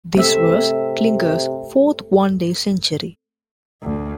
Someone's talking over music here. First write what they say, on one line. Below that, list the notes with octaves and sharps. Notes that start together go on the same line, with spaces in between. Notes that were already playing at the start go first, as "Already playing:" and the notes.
This was Klinger's fourth one-day century.
C3 A3 C4 E5
D2